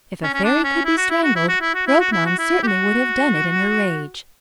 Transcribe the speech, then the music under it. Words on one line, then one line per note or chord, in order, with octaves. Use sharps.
If a fairy could be strangled, Grognon certainly would have done it in her rage.
C#4
C#4
D4
C#4
E4
F#4
E4
F#4
E4
F#4
E4
F#4
E4
F#4
E4
F#4
E4
G4
F#4